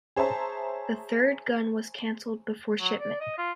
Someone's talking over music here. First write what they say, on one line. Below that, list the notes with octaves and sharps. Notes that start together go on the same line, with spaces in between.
The third gun was cancelled before shipment.
G#4 C5 C#5 E5 A5 A#5
F#3
D5
D#5
F4